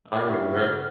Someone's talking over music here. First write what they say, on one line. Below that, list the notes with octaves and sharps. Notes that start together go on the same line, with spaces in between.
I remember.
G2 C#3 E4 F#4 G4